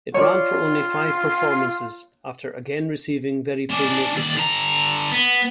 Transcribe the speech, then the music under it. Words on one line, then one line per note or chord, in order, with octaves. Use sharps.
It ran for only five performances after again receiving very poor notices.
F4 C#5 D5
C#4 D4
D#2 D5
D3 A#5
B3